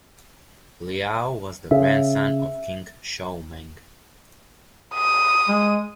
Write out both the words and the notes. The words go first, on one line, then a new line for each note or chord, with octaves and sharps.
Liao was the grandson of King Shoumeng.
C#3 E5
D#6
G#3